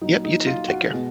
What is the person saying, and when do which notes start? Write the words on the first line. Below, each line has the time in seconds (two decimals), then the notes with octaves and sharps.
Yep. You too. Take care.
0.01 A#2 F#3 D#4
0.24 D#4
0.47 F4
0.68 F#4
0.91 B2 G#3